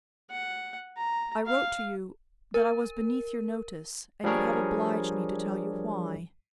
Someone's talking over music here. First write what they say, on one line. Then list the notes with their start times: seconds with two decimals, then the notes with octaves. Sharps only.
I wrote to you that I was beneath your notice, and you have obliged me to tell you why.
0.30 F#5
0.97 A#5
1.46 F5
2.54 A#4
4.24 F3 G3 D4 G#4 A#4 C#5